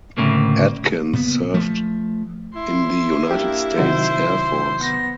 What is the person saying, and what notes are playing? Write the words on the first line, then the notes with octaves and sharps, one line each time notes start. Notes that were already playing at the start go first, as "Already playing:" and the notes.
Adkins served in the United States Air Force.
D2 A2 C#3 A#3
A#2 C#3 B3
F3 A3
E4 C6
A#3 D4 G4
C3 D#3 F#3 C5
B3 A#6